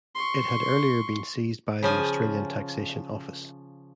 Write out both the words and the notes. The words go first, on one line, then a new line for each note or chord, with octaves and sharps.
It had earlier been seized by the Australian Taxation Office.
C6 C#6
C#3 F3 G#5